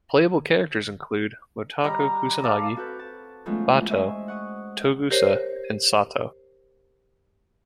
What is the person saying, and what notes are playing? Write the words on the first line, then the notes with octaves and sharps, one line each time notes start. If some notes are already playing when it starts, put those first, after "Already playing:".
Playable characters include Motoko Kusanagi, Batou, Togusa, and Saito.
G3 D#5 A#5
A4 D5 F5
C4 F#4 A4 B4 G6
A5
D#3 F3 G#3 A3 B3 C#4
E3
C5 D#5 E5 G#5 C#6
F#5 C#6 D#6
G4 A#4 C5 C#5